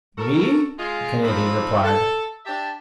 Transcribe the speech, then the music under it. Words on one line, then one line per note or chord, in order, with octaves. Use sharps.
"Me?" the Canadian replied.
F#4 A4 A#4
G#3 F4 G#4
F3 C4 D4 D#4 C5 B5
A4
D4 G4 E5 G5 A5